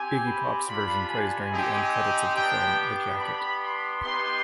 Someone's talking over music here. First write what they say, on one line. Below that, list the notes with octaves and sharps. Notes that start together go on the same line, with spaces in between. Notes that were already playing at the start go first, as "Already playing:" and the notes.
Iggy Pop's version plays during the end credits of the film "The Jacket".
Already playing: C4 G4 G#5
B5
G3 D4 F4 B5
G#5
C4 D#4 G4
B3 D4 G4 G5
B3 D4 G4 B5
C6
B3 D#4 G4 C6